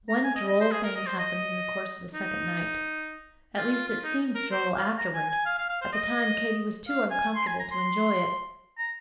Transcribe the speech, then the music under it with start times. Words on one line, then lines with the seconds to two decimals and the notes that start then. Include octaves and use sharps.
One droll thing happened in the course of the second night,--at least it seemed droll afterward; at the time Katy was too uncomfortable to enjoy it.
0.09 A#5
0.24 G#5
0.36 D#5
0.48 D#5
0.61 C5
0.71 G#4
0.84 A#4
0.96 D#5
1.07 C5
1.19 D#5
2.14 D#4
3.57 F4
3.72 F4
3.87 F4
4.04 D#4
4.35 A#4
4.51 C5
4.75 F5
4.98 A#5
5.15 G#5
5.30 G#5
5.46 F5
5.58 F5
5.69 F5
5.82 C5
5.93 D#5
6.88 F5
7.11 G#5
7.35 C6
7.47 G#5
7.59 A#5
7.71 C6
8.78 A#5